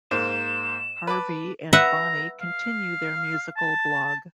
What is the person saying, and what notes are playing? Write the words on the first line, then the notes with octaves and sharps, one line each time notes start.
Harvey and Bonnie continue their musical blog.
G#2 A#3 C5 E7
B4 A5 D6
B4 E5 F#5 A#5
F5
A5